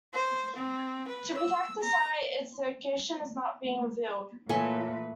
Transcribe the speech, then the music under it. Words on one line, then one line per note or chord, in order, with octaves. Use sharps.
To protect the site its location is not being revealed.
C5
C4
B4
E6
A#5
A#2 E3 A3 B4 C#5 G#5